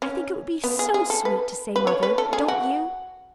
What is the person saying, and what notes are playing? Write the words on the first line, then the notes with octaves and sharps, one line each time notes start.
I think it would be so sweet to say 'mother,' don't you?
C#4
B3
G#4
G#4
A4
B4
B4
C#5
B4
A4
G#4
F#4